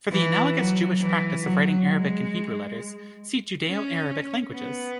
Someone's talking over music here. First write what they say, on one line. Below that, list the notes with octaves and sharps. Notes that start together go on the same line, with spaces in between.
For the analogous Jewish practice of writing Arabic in Hebrew letters, see Judeo-Arabic languages.
E3
F#3
E3
F#3
G#3
C#4
B3